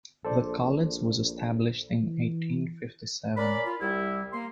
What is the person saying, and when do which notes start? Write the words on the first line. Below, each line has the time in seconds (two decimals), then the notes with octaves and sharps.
The college was established in eighteen fifty seven.
0.25 A#1 A4 C5 D5
2.02 E3
3.37 C#4 A#4 D5 B5
3.65 F4
3.81 C2 G3 E4
4.33 A#3 C6